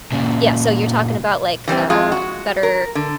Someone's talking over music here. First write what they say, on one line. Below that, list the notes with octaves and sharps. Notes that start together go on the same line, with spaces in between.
Yeah, so you’re talking about, like, uh, better,
A#2 C#3
E3 G3 B3 C4
F2 G#3 F4
F#4
A#4
D3